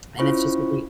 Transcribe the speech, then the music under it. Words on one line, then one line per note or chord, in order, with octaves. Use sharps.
and it's just a great
C#4 E4 F4 C5 B5 C#6